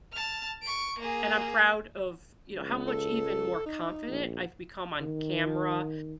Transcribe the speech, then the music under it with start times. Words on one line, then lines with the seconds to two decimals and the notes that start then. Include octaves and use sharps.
and I'm proud of, you know, how much even more confident I've become on camera,
0.12 A5 F6
0.62 C#6 D7
0.99 A#3 G#4
2.56 C#2
2.88 A4
3.66 D#4
4.08 A#1
5.01 D#3